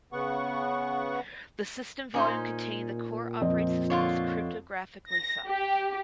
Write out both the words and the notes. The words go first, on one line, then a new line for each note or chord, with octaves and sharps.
The system volume containing the core operating system is cryptographically signed.
C#3 B3 F#5 C#6
A#2 C#4 D#4 C5
F2 C4 D#5
D3 F4 C#5
A#6
G4